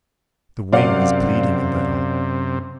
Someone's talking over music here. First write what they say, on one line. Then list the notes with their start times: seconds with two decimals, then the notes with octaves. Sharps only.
The wing was bleeding a little.
0.73 F#2 C3 D5 F5 F#5